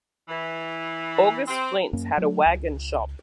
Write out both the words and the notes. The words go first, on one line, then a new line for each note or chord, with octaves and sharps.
August Flint had a wagon shop.
E3
C4
F#2 A#3 C#4
F#3 A3
C#2